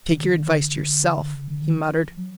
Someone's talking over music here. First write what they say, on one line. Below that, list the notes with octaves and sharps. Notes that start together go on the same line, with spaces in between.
"Take your advice to yourself," he muttered.
C#3
D#3
D#3
D#3
D3
C#3
D3
D#3
F3
F#3